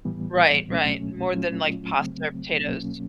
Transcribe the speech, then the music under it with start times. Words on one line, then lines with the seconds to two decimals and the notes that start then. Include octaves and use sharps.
Right, right, more than, like, pasta or potatoes.
0.05 A2 E3 G3 B3
0.68 C#2 B2 F#3 A3 C#4
1.32 A#2 F#3 A3 C#4 F4
1.95 C#3 F#3 A3 C4
2.59 C2 B2 F#3 A#3 C#4